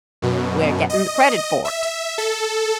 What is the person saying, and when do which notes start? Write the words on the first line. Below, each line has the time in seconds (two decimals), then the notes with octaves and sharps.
"We're getting the credit for it."
0.22 F#2 B2
0.90 D#5
1.65 E5
2.18 A4